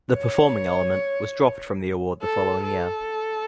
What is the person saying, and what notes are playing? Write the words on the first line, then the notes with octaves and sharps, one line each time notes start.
The "performing" element was dropped from the award the following year.
C#5
A4
A4